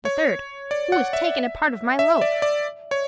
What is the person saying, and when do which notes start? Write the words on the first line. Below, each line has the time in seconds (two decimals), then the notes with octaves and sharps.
The third, "Who has taken part of my loaf?"
0.05 C#5
0.71 D5
0.92 F#5
1.13 E5
1.99 E5
2.21 D5
2.42 D5
2.91 C#5